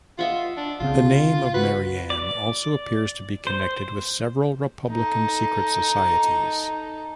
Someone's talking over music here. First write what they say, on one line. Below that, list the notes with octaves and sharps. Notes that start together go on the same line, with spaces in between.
The name of Marianne also appears to be connected with several republican secret societies.
F4 D#5 E5 F#5
D4
C2 C#3 C4 F4
F#4 B4
D5
C5
D#4 A4